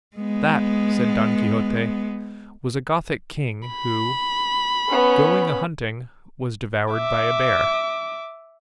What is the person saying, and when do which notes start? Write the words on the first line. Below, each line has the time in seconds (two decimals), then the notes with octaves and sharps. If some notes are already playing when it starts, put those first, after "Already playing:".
"That," said Don Quixote, "was a Gothic king, who, going a-hunting, was devoured by a bear."
0.17 G#3 B3
3.68 B5
4.89 B3 C#4
6.92 E5 D6